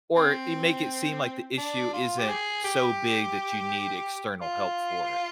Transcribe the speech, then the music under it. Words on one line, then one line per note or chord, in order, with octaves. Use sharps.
or you make it seem like the issue isn't so big that you need external help for it.
C4
D4
F4
G4
G#4
G4
F4